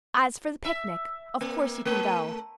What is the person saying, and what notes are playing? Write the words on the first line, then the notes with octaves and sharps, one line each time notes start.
As for the picnic, of course you can go.
E5
A#3
A3